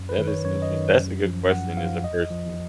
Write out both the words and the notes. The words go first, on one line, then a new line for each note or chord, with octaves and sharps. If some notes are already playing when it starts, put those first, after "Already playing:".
That is interest that's a good question is a person
Already playing: F#2
B4
D#3
C#5
F#2 C#5
D#5
D#3
F#2
F3
F#2 F#5
F3 F5
F2 D#5
F3